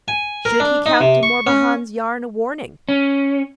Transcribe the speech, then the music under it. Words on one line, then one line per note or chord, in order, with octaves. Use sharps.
Should he count De Morbihan's yarn a warning?
G#5
A#4
D4
D#4
C3
C#6
C#4
C#4